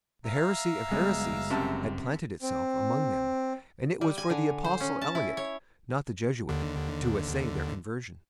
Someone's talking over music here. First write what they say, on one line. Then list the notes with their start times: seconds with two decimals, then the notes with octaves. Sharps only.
The heresy of heresies had planted itself among them; and it was for the apostle Eliot, not the Jesuit, to essay their conversion.
0.26 E5 F5 A#5
0.91 F#1 G3 G#3 B3
1.50 F#2 C3 A5
2.42 C4
4.01 G3
4.18 G#5
4.30 D3
4.64 C5
4.80 C#4
5.01 A5
5.15 E4
5.37 C#5
6.49 D#2 D3